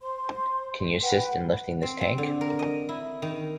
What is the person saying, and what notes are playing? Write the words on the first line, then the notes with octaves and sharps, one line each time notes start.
Can you assist in lifting this tank?
C5 C6
B4 F#5 G5
C4
C4
D3
A#4
D#5
E4
D#3